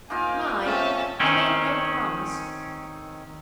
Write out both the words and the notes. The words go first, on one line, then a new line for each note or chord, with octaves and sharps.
Mind, I make no promise!
A#3 D#4 F4 F5 G#5
C4 C#4 A4 E5
D#3 C4 C#4